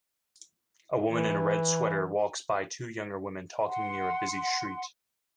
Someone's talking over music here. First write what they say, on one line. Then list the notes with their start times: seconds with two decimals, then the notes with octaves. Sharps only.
A woman in a red sweater walks by two younger women talking near a busy street.
1.09 E3
3.65 F#5 C6